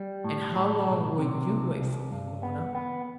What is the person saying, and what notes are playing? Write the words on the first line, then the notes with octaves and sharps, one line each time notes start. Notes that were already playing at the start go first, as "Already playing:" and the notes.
And how long would you wait for me, Lorna?'
Already playing: G3
A2
A2
B1
C3
C2
C2
G2
B3
B3